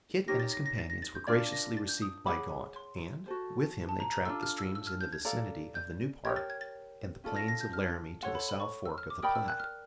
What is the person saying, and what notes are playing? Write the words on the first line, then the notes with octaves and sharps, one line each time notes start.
Kit and his companions were graciously received by Gaunt; and, with him they trapped the streams in the vicinity of the New Park and the plains of Laramie to the South fork of the Platte.
D#4 G4 A#4 C#5 A#6
A6
A#6
A#6
A6
A#6
A6
G6
D4 F4 A#4 D5 G#6
A6
A#6
A6
G6
D#6
G#4 C#5 F#5 B5 D6
C6
F#4 A4 C5
A5
A#5
A#5
D4 F4 A4 E6
F6
E6
E6
F6
G6
G#6
A4 D5 F5 A#5
G6
G4 A#4 C#5 G#6
A6
G#6
A6
C#4 F4 A4 D5
A#6
A#6
G6
F6
A4 C#5 F#5 C6
B5
B5
C#6
E6
F6
D6
A#4 D5 G5 B5 D#6
E6
F#6
F6